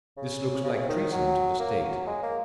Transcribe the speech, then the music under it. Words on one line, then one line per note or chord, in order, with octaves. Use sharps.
This looks like treason to the state.
C#3
C#3
C3
C#3
D#3
F#3
A#3
F#3
G#3
A#3